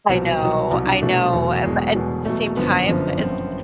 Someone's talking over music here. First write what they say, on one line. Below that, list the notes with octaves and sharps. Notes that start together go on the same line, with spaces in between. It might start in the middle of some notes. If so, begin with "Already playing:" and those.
I know, I know, uh, but at the same time, it's
C2 B2 F#3 C4
C2 B2 F#3
C2 B2 F#3
D4
C2 B2 F#3 A3
E1 E2 B2 F#3
E1 E2 B2 F#3 G#3
E1 E2 B2 F#3
E1 E2 B2 F#3 A3
G1 F#2 D3 F3 B3
G1 F#2 D3 F3
G1 F#2 D3 F3 C4